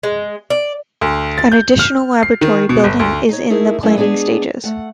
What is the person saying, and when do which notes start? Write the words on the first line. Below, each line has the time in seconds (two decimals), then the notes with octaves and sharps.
An additional laboratory building is in the planning stages.
0.03 G#3
0.50 D5
1.01 D2
1.38 A6
1.52 G6
1.79 F6
2.23 C7
2.41 D#3
2.69 B2
2.84 G1
2.99 D2
3.29 D#4 C#5
3.50 A3 D#4 E4 G#4 A#4
3.83 F#3 A3 A#3 C#4 E4
3.97 G#3 B3 D4 G4 G#4
4.64 A3 F#5